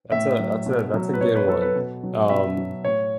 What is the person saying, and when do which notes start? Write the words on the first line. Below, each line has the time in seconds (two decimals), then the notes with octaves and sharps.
That's a that's a that's a good one. Um,
0.12 A2 E5
0.40 F#3
0.66 B2
0.94 F#3
1.14 B4
1.21 B2 C#5
1.35 B4
1.48 F#3 A4
1.62 B4
1.76 B2
2.03 F#3
2.30 B2 E5
2.57 F#3
2.84 A2 C#5